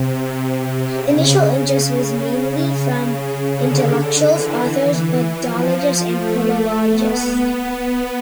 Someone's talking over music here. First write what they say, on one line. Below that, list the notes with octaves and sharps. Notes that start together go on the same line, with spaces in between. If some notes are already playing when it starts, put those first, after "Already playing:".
Initial interest was mainly from intellectuals, authors, Buddhologists and Philologists.
Already playing: C3
C#3
C#3
C#3
D3
E3
F3
A3
B3